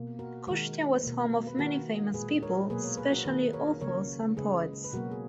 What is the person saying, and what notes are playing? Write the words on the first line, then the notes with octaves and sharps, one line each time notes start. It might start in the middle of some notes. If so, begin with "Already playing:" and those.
Kushtia was home of many famous people, especially authors and poets.
Already playing: B2 A#3
F#4 A#4
D#3 G#3 F#4 A#4
B2 A#3
B4
D#3 A#3 F#4 A#4
A#2 G#3 G#4 B4
A#4 C#5
B2 F#3 A#3 G#4 B4
A#4 C#5
G#4 B4
F#4 A#4
D#3 A#3 G#4 B4
A#4 C#5
C#3 F#3 A#3 A#4 C#5
C#3 G#3 G#4 B4
B4
B2 F#3 A#3 F#4 A#4
G#4